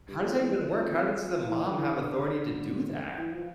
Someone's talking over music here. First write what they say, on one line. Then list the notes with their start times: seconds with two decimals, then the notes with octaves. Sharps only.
How does that even work? How does the mom have authority to do that?
0.08 G2
0.23 F2
0.38 E2
0.54 F2
0.69 F2
0.90 F2
1.32 F3
1.46 E3
1.62 E3
1.71 D3
1.78 E3
1.93 D3
3.17 E3
3.32 F3